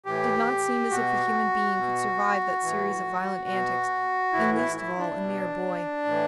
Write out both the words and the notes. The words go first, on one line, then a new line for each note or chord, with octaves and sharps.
It did not seem as if a human being could survive that series of violent antics, and least of all a mere boy.
A2 E3 G4
B2 F#4
B2
A2 E3
B2
A2 E3 E4
E4
E4
D4
B2
A2 E3